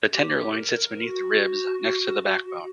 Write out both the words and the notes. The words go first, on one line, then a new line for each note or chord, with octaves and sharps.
The tenderloin sits beneath the ribs, next to the backbone.
G4
G4
A#4
A#4
F#4